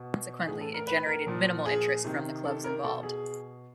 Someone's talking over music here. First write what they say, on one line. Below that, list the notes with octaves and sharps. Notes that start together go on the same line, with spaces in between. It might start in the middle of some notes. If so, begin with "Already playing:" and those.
Consequently, it generated minimal interest from the clubs involved.
Already playing: B2
A2 E3 G#4
A4
A#4
B4
A#4
A#2 F3
G#4
C3 D#3
A4
A#4
B2 A4
G#4